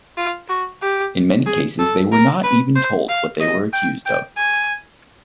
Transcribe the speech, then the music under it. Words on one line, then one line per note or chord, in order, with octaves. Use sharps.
In many cases they were not even told what they were accused of.
F4
F#4
G4
G#4
A4
A#4
B4
C5
F5
D#5
G5
G5
G#5